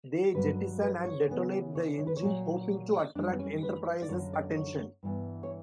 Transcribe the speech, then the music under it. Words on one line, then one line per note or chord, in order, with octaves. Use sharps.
They jettison and detonate the engine, hoping to attract "Enterprise"s attention.
G2 F#3 A#3 B4
B4
C#5
C#3 E3 B3
C#5
C#5
B4
C#5
A#2 F#3 A#3
F#2 E3 G3 D4
B3
C#4
B4
D5
F#2 D3 A#3 C#5
D5
C#5
G2 E3 B3
C#5